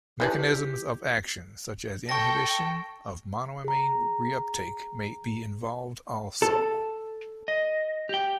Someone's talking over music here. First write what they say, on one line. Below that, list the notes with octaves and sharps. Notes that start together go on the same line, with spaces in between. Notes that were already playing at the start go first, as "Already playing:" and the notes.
Mechanisms of action such as inhibition of monoamine reuptake may be involved also.
D#3 E3 D4 G4
A4 G5 C#6 A#6
G#4 A#5
A4
D#5
G4 G5